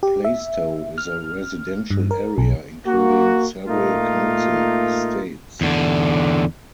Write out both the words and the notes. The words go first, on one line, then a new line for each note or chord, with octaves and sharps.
Plaistow is a residential area, including several council estates.
G4
E5
F6
G2
A#4
B1
A#3 F#4
A#2 A3 A#3 D#4 F4
E2 D3